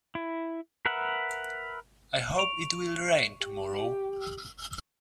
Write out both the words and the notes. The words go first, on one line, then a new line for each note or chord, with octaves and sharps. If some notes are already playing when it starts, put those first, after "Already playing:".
I hope it will rain tomorrow.
E4
A#4 B4 E5 F#5
C#6 D7 F7
G4